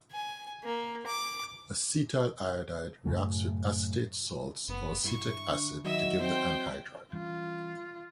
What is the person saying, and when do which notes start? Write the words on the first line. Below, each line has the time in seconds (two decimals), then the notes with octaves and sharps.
Acetyl iodide reacts with acetate salts or acetic acid to give the anhydride.
0.12 G#5
0.63 A#3
1.06 D6
3.06 F#2 A2 C#3 A3
4.68 F#1 B3
5.04 G2 E4 C#6
5.51 D3
5.84 D#3 F#3 D#5 E5 E6
6.20 C4 C5 G5
7.13 E3 G3 C#4 F4